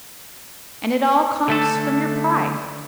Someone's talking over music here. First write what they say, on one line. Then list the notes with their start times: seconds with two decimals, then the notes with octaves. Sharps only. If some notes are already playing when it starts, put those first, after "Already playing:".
And it all comes from your pride.
1.48 D3 A3 A4